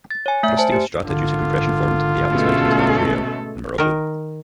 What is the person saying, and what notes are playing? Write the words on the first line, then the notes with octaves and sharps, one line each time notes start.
Thrusting of strata due to compression formed the Atlas Mountains in Algeria and Morocco.
A6
C#5 G#5
A3 E5 G6
C5 G#5 A5
G4 C5
G#1 D3 F4
B2 G#3 A3 C#4 A4
D#3 A#4